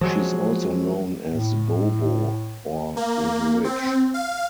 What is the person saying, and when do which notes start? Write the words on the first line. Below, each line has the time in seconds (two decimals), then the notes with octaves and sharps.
She's also known as 'Bo Bo' or 'Little Witch'.
0.01 F3 F#3 G#3
1.31 A2
2.97 A#3
3.64 C4
4.14 F5